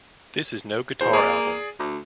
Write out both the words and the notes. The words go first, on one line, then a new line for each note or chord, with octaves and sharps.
This is no guitar album.
E2 C5
A#3 G#4 D5
D2